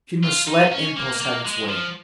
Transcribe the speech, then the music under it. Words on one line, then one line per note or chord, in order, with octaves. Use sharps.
She must let impulse have its way.
F4
D#4
C#4
A#3
A#3
G#3
F3